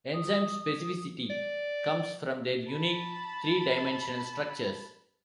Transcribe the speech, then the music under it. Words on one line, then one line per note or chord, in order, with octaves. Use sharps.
Enzymes' specificity comes from their unique three-dimensional structures.
D#6
D5
A5 B5